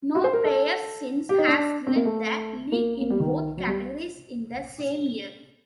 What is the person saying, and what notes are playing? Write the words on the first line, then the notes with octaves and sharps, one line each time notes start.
No player since has led the league in both categories in the same year.
F#4
C5
A#4
A4
G4
D#4
D4
C4
A#3
A3
A#3
A#3
G3
D#3
F#3
G3